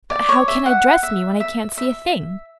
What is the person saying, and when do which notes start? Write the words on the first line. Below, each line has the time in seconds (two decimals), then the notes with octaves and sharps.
"But how can I dress me when I can't see a thing?"
0.10 D5
0.29 C#5
0.48 E5
0.66 F#5
1.03 E5
1.40 E5
1.78 E5